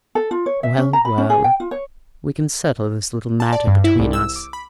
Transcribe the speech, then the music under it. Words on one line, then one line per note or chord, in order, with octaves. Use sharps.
Well, well, we can settle this little matter between us.
A4
F4
C#5
E5
C#4
A#5
B5
C#4
G#4
G5
F4
C#5
A5
D5
G2
E4
C2
E6
D6
B5